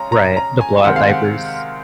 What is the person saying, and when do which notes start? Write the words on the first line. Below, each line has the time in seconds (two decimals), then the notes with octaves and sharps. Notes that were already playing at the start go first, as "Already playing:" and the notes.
Right, the blowout diapers.
Already playing: C#3 G#3 C#4 A#5
0.12 A#5
0.37 A#5
0.61 G#5
0.84 C3 D#3 G#3 C4 F#5
0.96 F5
1.09 F#5